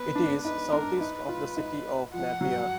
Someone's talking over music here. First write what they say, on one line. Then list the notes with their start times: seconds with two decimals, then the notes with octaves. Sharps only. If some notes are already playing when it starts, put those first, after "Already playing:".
It is south-east of the city of Napier.
Already playing: B3 B4
0.15 D4
0.44 D#4 B4
0.73 D4 A#4
1.00 D#4 B4
1.29 F4
1.57 D#4
2.13 F3 F#5
2.41 F#3